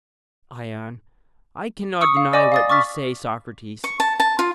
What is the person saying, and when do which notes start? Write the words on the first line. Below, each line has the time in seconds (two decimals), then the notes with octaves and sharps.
ION: I cannot deny what you say, Socrates.
2.01 C#6 D#6 E6 C#7
2.17 F5
2.33 D5 D#5 G#5 B5 D6
2.52 F5 D#6 A6
2.70 C#6 D6 F6 A6 B6
3.84 C#6
4.00 A5
4.20 A5
4.39 F4